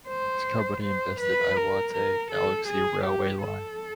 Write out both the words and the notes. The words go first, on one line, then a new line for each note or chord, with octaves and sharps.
This company invested Iwate Galaxy Railway Line.
C5
C5
B4
A#4
A#4
A4
G#4
G4
A4